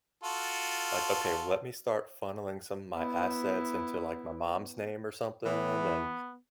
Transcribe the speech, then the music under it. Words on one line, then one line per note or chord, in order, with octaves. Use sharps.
like, okay, well let me start funneling some of my assets into, like, my mom's name or something, and
F4 F#4 A4
B3 E4
E3 B3